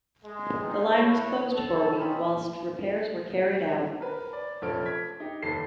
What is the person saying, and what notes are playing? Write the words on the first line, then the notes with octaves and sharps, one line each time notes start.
The line was closed for a week whilst repairs were carried out.
G#3
B3 C4 D#4 F4 G#4
E4 B4 C#5
A4
A#3 C#4 D#4 F4 G5 B5
A#4 B4
D5
F1 A#1 C#4 A4 F6 D7
G#6 B6
D#4 G4
F1 D#2 A4 C7